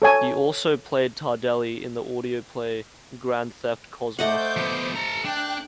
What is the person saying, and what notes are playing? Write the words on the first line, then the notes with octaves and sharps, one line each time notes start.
He also played Tardelli in the audio play "Grand Theft Cosmos".
A4 C#5 G#5
A3 C5 D#5 F#5 D6 G6
F3 B3
A4 A#5
D4 G5 F#6